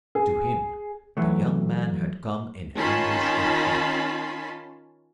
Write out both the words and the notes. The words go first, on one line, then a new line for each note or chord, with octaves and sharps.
To him the young man had come in anguish of heart.
G#4
E3 F#3 A3
D#3 C#4 F4 A5 B5 C6